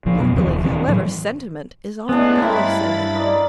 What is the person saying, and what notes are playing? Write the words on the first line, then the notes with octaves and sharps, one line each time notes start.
Luckily, however, sentiment is on our side.
A#1 F3
F#2 B2
D#2 C3 F3
D#1
E3 C4 D4
A2 E3 F#3
C#3 G#3 A3 B3 D4 E4
G2 C4 E4 F4 A#4 B5 A6
D#4 A#4 D5